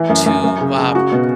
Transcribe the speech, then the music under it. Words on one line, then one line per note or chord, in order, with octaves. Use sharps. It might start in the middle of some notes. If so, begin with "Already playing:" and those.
to, uh,
Already playing: E3
F#2
F#2
F#2
C#3
C#3
F#4
B2